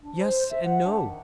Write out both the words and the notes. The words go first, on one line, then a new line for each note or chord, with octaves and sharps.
"Yes and no."
D4
C5
E5
F#5
D4
D#3